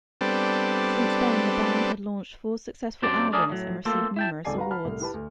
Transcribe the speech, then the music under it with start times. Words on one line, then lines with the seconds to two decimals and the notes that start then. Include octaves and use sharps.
Since then, the band had launched four successful albums, and received numerous awards.
0.21 G3 B3 C4 D4 A4
3.02 F#2 F#3 C4 D4 G4 D5
3.33 A3 D4 G#4 A#4 D5
3.50 A2 F#3
3.85 A3 A#3 C4 F4 A4
4.16 E4 G5 A5
4.45 G#1 C#2 A4 D5 G#5 C7
4.57 F#4 B4 F5 A#5
4.71 A5 B5 F6
4.85 C2 A2
5.00 E4 G4 B4 A5
5.14 D2